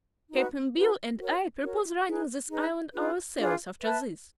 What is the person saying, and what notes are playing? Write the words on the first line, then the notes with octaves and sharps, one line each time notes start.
Cap'n Bill and I perpose runnin' this Island ourselves, after this.
D#4 F#4 B4
D#4 F#4 B4
F#4 A#4 C#5
F#4 A#4 C#5
D#4 G#4 B4
D#4 G#4 B4
D4 F4 G#4 B4
D4 F4 G#4 B4
B4 E5 A5